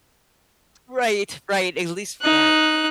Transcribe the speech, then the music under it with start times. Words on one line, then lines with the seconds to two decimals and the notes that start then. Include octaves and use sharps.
Right, right, at least for that
2.22 D#4 F#6